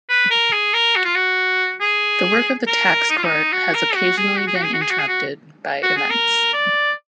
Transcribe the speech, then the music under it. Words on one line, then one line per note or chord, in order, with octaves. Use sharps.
The work of the Tax Court has occasionally been interrupted by events.
B4
A#4
G#4
A#4
F#4
F4
F#4
G#4
A#4
D#4
F4
D#4
F#4
A#4
F#4
G#4
F#4
G#4
F#4
G#4
F#4
G#4
F#4
G#4
F#4
F#4
G#4
A#4
D5